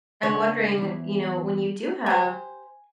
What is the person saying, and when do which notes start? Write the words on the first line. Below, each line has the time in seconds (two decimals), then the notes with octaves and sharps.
I'm wondering, you know, when you do have
0.23 C#3 D4 C#5 F#5
0.78 E2 E4
2.06 G4 C5 G#5